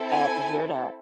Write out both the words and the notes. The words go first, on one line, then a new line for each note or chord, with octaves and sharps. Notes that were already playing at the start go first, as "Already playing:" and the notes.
Sad to hear that.
Already playing: C4 E4 A4
G#5